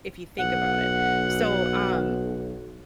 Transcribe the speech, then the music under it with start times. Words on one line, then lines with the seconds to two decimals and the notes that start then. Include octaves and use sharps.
if you think about it. So, um,
0.39 B1 F#5